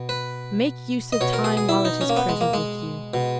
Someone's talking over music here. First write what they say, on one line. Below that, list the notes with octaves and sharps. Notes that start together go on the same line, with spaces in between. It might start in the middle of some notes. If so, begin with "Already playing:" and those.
Make use of time while it is present with you.
Already playing: B2
B4
D#5
B2 C#5
A#4
G#4
G#4
E4
D#4
C#4
A#3
B3
G#3
A#3
G#3
B2